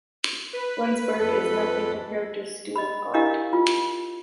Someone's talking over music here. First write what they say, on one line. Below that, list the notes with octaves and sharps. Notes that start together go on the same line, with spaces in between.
Flensburg is nothing compared to Stuttgart.
B4
F2 A4
D#5 B5
D4 E4 G4 A#4 D#5 F5
F4